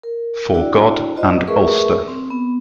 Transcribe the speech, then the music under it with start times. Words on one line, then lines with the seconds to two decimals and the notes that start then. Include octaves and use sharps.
For God and Ulster.
0.03 A#4
0.54 D4 E4 F#4 D5 G5
1.16 F4 F#4 C5 D5 D#5
1.47 A3 G#4 A#4 B4 E5 C#6
2.08 C4
2.30 B3